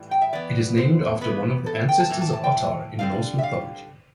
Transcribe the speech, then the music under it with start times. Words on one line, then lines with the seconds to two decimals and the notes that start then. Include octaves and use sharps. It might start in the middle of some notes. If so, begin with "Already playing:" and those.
It is named after one of the ancestors of Ottar in Norse mythology.
Already playing: A2 E3 G3
0.11 G5
0.21 E5
0.33 E3 B3 D5
0.78 C5
1.21 E3 B3 B4
1.66 A4
1.89 G5
2.00 A5
2.10 A2 E3
2.21 A5
2.33 A5
2.44 G5
2.99 D3 G3 C4 F5
3.38 E5
3.43 F5